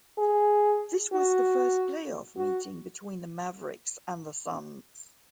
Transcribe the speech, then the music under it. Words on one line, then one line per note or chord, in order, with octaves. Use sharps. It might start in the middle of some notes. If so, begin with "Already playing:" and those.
This was the first playoff meeting between the Mavericks and the Suns.
G#4
F#4
F#4